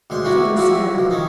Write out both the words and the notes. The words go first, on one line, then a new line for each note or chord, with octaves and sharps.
Something snapped.
D2 G#3 C5 C6
G3 A3 C#4 D4 E4 F#4
F3 G3 C4 E4 F#4
C#2 F3
D#3 C#4 D#4